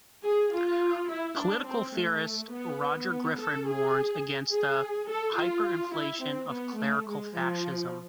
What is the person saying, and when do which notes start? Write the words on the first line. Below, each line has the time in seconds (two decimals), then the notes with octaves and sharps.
Political theorist Roger Griffin warns against the "hyperinflation of clerical fascism".
0.25 G#4
0.54 F4
1.10 E4
1.40 D4
1.67 C4
1.96 A3
2.52 B3
3.10 B3
3.39 A4
3.67 G#4
4.53 G#4
5.09 A4
5.38 F4
5.95 E4
6.23 C4
6.52 B3
6.80 A3
7.08 G#3
7.38 F3